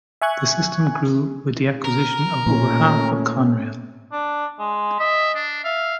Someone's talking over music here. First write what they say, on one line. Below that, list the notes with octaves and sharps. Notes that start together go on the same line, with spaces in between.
The system grew with the acquisition of over half of Conrail.
E5 G#5 C#6 F#6 G#6
A#4
A#2 A3 C#4
D4
G#3
D#5 E5
D4
E5 F5